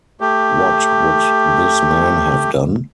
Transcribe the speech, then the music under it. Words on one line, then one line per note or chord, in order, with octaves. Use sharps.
What would this man have done?
A3 G4